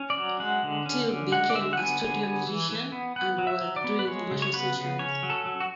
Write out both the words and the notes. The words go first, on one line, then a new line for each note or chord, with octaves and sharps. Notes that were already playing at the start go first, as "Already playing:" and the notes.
Till became a studio musician and was doing commercial sessions.
Already playing: C#4
D5
F#3
G#3 F#5
D3
C#4
D3
G#3 F#5
D5
D3 E5
F#5
B3 G#5
D3 G#5
B3 G#5
E3
E3
B3
B3 F#5
F#3
E5
F#3
D5
B3
B4
G#3 C#5
C#3
C#5
B3 B4
C#3
C#4 C#5
F#3
A4
F#3
F#4